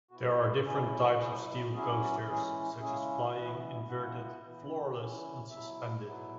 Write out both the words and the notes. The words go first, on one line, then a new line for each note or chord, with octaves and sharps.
There are different types of steel coasters, such as flying, inverted, floorless, and suspended.
B2 B3 E4 F#4
G#4
F#4
F#3 C#4 E4 G#4
F#3 E4 G#4
F#3 C#4 E4 G#4
E3 G#3 C#4 E4 G#4
C#3 G#3 C#4 E4 G#4
E3 B3 E4 B4
C#3 G#3 E4 F#5
E3 B3 E4
E3 C#4 E4
B2 F#3 E4 E5
B2 F#3 B3 E4